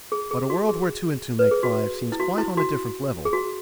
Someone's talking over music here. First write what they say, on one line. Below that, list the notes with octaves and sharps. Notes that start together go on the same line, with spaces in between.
But a world where two and two make five seems quite on a different level.
G#4
G#4
F#4
G#4
B4
G#4
F#4
E4
F#4
E4
F#4
G#4
F#4